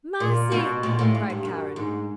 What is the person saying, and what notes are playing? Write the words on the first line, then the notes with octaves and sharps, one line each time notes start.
"Mercy!" cried Karen.
A#2
B2
A#2
A2
G#2
G2
F#2
G#2